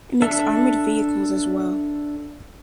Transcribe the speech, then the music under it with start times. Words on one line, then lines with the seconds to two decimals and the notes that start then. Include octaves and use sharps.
It makes armoured vehicles as well.
0.22 D4 A4 E5